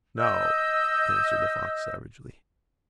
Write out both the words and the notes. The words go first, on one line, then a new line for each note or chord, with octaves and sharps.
"No," answered the fox savagely.
D#5 E6 G6